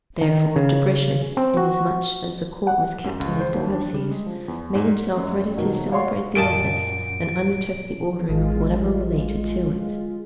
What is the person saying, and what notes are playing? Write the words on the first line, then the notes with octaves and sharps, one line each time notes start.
Therefore Dubricius, inasmuch as the court was kept in his diocese, made himself ready to celebrate the office, and undertook the ordering of whatever related to it.
D#3
C#3
C4
F#4
F#5
F#2
C#2
C5
D#2
D4
G3
G#3
F3
E2
G#2
F#2
F2 B2 D#3 F#3
F#4 C#5 D5 F5 C6 C#6
F#2 A#2 D#5 A5 D7
A1 G#3 F4